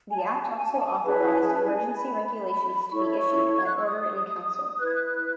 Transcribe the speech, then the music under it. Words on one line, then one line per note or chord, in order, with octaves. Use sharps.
The Act also authorised emergency regulations to be issued by Order in Council.
G#5
A5
G#5
A5
G#5
A5
G#5
A5
G#5
A5
G#5
A5
G#5
C#4 E4 G#4 B4 A5
G#5
A5
G#5
A5
G#5
A5
G#5
B5
E4 A4 C#5 C#6
B5
C#6
G#6
F#6
E6
D#6
E4 B4 F#6 G#6
F#6